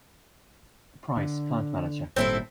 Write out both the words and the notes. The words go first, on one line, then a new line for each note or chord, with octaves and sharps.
Price, plant manager.
D3
G#1 A#2 G3 C4 E4 A4